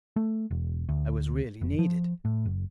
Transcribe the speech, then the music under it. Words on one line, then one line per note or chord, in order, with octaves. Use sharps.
I was really needed.
A3
E1
D2
F1
F3
A2
F#1